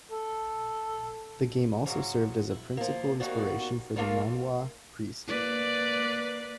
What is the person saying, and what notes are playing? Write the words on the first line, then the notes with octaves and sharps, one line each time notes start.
The game also served as a principal inspiration for the manhwa "Priest".
A4
G#2 C#3 F#3
E4
F3 A#3
B2 D#3 G3 A#3 F#4 D5
A3 A#3 F4 A4 A#4 D5
A#3 B4 D5